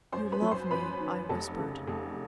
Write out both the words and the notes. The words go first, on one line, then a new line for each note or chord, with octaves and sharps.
"You love me!" I whispered.
F#2 C5 C6
B4 B5
F#3
C5 C6
F#2 B4 B5
D#3
F1 A4 A5
C#3
F1